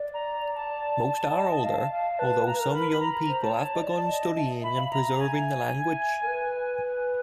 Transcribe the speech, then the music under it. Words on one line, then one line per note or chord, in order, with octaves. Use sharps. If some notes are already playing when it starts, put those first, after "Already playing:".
Most are older, although some young people have begun studying and preserving the language.
Already playing: D5
A#5
A5
D#5
F5
F5
B4 A5
A#5
B4
A#4
B5
B5
A#5
C5
A5
C#5
D#5
D5
D#5
E5
E5 B5
F5
E5 A#5
G#5
A#4
B4